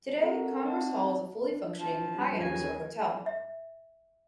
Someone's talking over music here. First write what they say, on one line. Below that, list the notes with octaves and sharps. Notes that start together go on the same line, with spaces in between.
Today, Congress Hall is a fully functioning, high-end resort hotel.
C4 A4 A#4 F5 F#5 A#5
C4 D#4 D5 D#5 F#5 A5
D4
F3
G2 G3 C#4
D#2 C#3 G4 G#5 A#6
E5